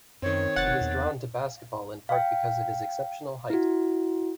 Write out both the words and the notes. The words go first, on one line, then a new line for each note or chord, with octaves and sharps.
He was drawn to basketball in part because of his exceptional height.
F#2 D#3 C4 C#5
F1 F#5 A6
E2
F5 G5
E4 F#4